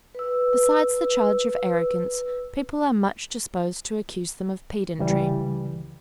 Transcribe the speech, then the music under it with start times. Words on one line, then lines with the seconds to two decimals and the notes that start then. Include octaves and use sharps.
Besides the charge of arrogance, people are much disposed to accuse them of pedantry.
0.15 B4 E6
4.98 C#2 C#3 E3 G3